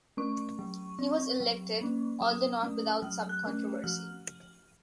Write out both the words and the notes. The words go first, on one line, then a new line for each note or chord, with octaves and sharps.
He was elected although not without some controversy.
A3 C#4 C#6
F#3
C4
F#3
A#3 C#4
F#3 D#6
A3 C#4
F#3 F6
F#6
A3 C#4
F3 F6